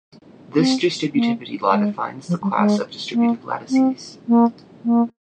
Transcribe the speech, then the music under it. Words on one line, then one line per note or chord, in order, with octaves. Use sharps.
This distributivity law defines the class of distributive lattices.
C4
A#3
G#3
F3
G3
G#3
A#3
C4
A#3
A#3